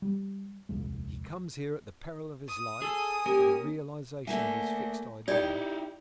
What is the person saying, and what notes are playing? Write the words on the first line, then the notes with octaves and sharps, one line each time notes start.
He comes here at the peril of his life, for the realization of his fixed idea.
G3
D#1 C2 F2 G#3
D#6
G#4 A4 G#5 E6
A#3 C#4 G4 A#4
A3 A#3 D5 E5 G#5
D#4 E4 G4 D5 D#5 G5